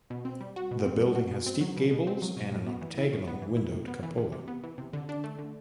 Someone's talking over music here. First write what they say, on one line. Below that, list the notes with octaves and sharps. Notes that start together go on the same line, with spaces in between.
The building has steep gables and an octagonal windowed cupola.
B2
C4
G3
F#4
B2
C4
G3
F#4
B2
C4
F#3
B2
B2
C4
F#3
B2
A2
B3
E3
E4
A2
B3
E3
E4
C3
B3
E3
C3
C3
B3
E3
C3
D3
D4
A3
D3